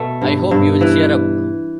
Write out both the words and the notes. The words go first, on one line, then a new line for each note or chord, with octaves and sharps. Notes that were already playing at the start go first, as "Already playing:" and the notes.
I hope you'll cheer up.
Already playing: B2 A3
G2
G2
E3